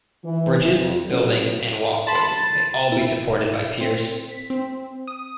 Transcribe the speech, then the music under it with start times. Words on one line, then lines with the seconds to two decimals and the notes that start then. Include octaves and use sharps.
Bridges, buildings, and walkways may all be supported by piers.
0.24 E3
0.76 F2
1.09 C3 F#3 B3 C#4 E4 A4
2.07 A5 B5 C6
2.36 A6
2.92 E4
3.80 C4
4.29 B6
4.50 C4
5.07 D#6